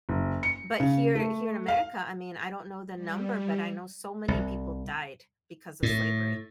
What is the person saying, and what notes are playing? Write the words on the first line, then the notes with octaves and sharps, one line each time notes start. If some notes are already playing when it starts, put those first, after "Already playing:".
but here, here in America, I mean, I don't know the number, but I know so many people died because of slavery,
F#1
C#7
C#3
A3
F5
G3
C2
A2